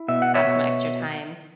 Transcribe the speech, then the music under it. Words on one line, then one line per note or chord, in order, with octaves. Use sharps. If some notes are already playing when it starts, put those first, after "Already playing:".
have some extra time,
Already playing: E4
B2 E5
F#5
C#5 E5
B2